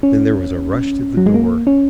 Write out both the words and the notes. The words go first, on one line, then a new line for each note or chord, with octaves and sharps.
Then there was a rush to the door.
C#4
F#3
G#3
A#3
C#4